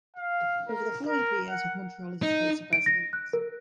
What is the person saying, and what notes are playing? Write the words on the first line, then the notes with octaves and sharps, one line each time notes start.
Over the following three years, with Montreal as his place of residence.
F5
A#4
A#4
F#5
D#4
D7
A#6
F#6
A#4